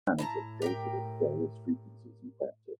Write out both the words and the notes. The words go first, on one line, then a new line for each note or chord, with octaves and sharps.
This plan is updated at various frequencies in practice.
A2 E4 A5 A#5
G4 A#4 G5